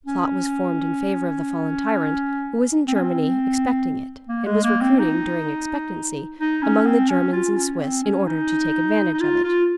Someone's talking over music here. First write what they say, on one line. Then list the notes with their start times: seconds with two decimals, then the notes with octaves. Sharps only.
A plot was formed in favor of the fallen tyrant, who was in Germany expecting it, and was recruiting, during expectancy, amongst the Germans and Swiss in order to take advantage of it.
0.06 C#4
2.88 C4
2.95 C#4
3.02 C4
4.28 A#3
4.46 G#3
4.64 A#3
4.81 C4
4.99 D#4
6.39 D#4
6.63 C#4
6.86 C4
7.09 C#4
7.33 F4
7.56 C#4
7.79 C4
8.03 C#4
8.27 D#4
9.14 D#4
9.20 F4
9.44 F4